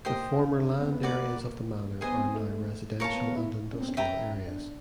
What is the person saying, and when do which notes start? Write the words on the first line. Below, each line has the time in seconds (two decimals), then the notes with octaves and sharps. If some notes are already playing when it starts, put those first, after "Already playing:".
The former land areas of the manor are now residential and industrial areas.
0.05 A#3 G4 C5 D#5 G5
0.38 C#4
0.54 D4
0.67 C#4
0.79 C4
0.91 B3
1.03 A#3 F#4 B4 D5
2.01 B3 G#4 C5 D#5 G#5
2.18 C4
2.34 A3
2.51 A3
3.00 A#3 A#4 C#5 F5 A5
3.12 B3
3.24 B3
3.36 E4
3.72 C#4
3.80 C4
3.88 C#4
3.97 B4 E5 G5 A#5
4.47 D4